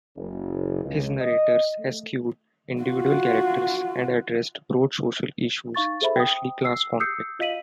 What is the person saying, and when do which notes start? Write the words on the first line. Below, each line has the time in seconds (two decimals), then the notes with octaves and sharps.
His narratives eschewed individual characters and addressed broad social issues, especially class conflict.
0.17 F#1
0.83 C#2
1.21 D#5
1.79 A3
2.82 F4 F#4
5.75 D#4 F5 C#6 A6
6.01 G#4 A4 C5 E5 B5
6.16 G5 D#6
6.64 E6 C7
7.00 D#6 E6 G6 C7 C#7
7.39 F4 D#5 F5 B6 D#7 F#7